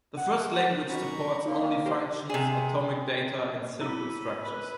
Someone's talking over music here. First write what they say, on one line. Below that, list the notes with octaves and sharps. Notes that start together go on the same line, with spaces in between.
The first language supports only functions, atomic data and simple structures.
F#5
D#3 F#3 C#4 A#5 B5 C#6
A#3 D#4
G4 A#4 C5
C3 G#4
E4 G#4 B5 E6 D#7
B4